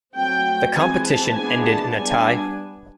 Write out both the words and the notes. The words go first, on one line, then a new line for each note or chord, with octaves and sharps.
The competition ended in a tie.
F#3 A3 C4 G5
E3 G#3 C4 G#5
A5
E3 G#3 B3 D4 G#5
A5
G3 B3 D4 G#5